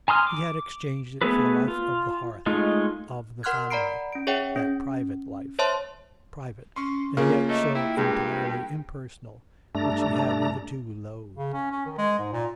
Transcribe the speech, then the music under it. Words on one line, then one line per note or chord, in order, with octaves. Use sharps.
He had exchanged it for the life of the hearth, of the family; that private life--private, and yet so entirely impersonal-which he had hitherto loathed.
G#5 A#5 C6 D#6 F6
D6
A3 B3 G#4 A4 B4
F4
G#3 A3 D#4 F4
A#4 F#5 C6 F6 F#6 G#6
D5 F#5 A#5 B5 C7 D7
C#4 D7
G#4 C#5 E5 F#5 G5
C#4
C5 C#5 E5 A5 C6
C#4 C6 C#6
C#3 A#3 F4 A#4
A3 D#5
E4 G5
G2 G#3
G2 A3 D4 A#5
C#3
C#4
C#4
D#3
G#3
G#2
A#2